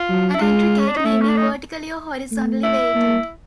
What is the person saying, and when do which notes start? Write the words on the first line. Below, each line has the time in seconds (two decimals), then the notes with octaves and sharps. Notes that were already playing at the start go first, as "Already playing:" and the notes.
An aggregate may be vertically or horizontally weighted.
Already playing: F4
0.10 F#3
0.34 E4
0.41 G#3 F4
0.79 C#4
0.88 D4
0.96 D#4
1.04 A3 E4
1.21 C#4
1.29 D4
1.37 D#4
2.31 A3
2.63 E4
2.95 A#3